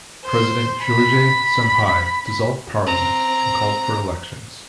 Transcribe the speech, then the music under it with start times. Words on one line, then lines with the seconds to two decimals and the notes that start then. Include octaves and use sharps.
President Jorge Sampaio dissolved Parliament and called for elections.
0.26 C5
0.85 B5
2.87 C4 A#5